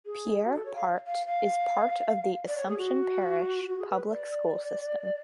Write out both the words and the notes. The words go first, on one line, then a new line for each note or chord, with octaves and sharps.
Pierre Part is part of the Assumption Parish public school system.
G#4
F#4
A4
C#5
F5
F5
F5
D5
C#5
G#4
F#4
F#4
G#4
B4
D5